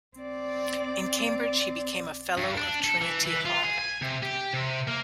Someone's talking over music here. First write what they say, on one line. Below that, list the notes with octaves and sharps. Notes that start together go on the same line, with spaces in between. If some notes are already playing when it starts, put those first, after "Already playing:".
In Cambridge he became fellow of Trinity Hall.
C4 D5
G2
D4
A4
E3
E3
F4
G#4
G#5
C3
G4
C3
A#3